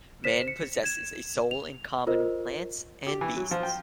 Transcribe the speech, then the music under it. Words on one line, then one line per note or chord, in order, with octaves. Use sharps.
Man possesses a soul in common with plants and beasts.
C5 B6 E7
C#7
G#6 E7
F7
F4 A#4 C5 D#5
G4
E3
F#3
F3
G5